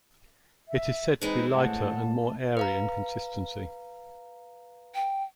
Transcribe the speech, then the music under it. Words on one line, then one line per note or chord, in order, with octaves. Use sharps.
It is said to be lighter and more airy in consistency.
E5
E3 G#3 C4 D#4 B4
A2 F#5 A5
B4 F5 A#5
G5